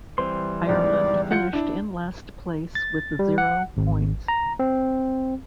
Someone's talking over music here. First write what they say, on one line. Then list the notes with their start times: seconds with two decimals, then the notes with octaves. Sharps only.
Ireland finished in last place with zero points.
0.18 E3 G3 C4 C6
0.67 E1 C#2 G#2 D5
1.31 F4 F#5 G6 C#7
1.53 D4 E4
2.75 A6
3.19 G3
3.38 F#5
3.77 G#1
4.28 A#5
4.59 C4